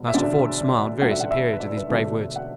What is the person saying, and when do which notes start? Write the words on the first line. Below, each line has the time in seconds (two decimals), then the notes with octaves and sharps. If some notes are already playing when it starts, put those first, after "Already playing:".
Master Ford smiled very superior to these brave words.
Already playing: E1
0.08 E5
0.14 E1 D2 D3 A3 D4 D5
1.02 E1 D2 D3 A3 D4 F#5
1.11 E5
1.20 F#5
1.31 E5
1.53 B4
1.60 D5
1.77 B4
1.89 E1 D2 D3 A3 D4 D5
2.36 F#5